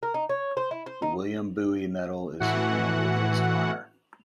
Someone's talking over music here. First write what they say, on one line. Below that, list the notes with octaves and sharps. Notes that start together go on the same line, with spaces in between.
The William Bowie Medal is named in his honor.
A#4
D#4
C#5
C5
E4
C5
D#4
A2 E3 F#4 F#5